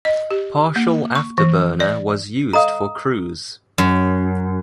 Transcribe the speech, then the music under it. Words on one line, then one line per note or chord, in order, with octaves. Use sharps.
Partial afterburner was used for cruise.
D#5
G4
A#3
C#6
E3
D5
A4 D#5 F5 A#5 D#6
F#2